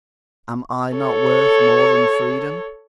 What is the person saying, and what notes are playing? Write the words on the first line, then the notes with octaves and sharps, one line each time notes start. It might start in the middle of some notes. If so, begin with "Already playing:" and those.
Am I not worth more than freedom?
A4 C#5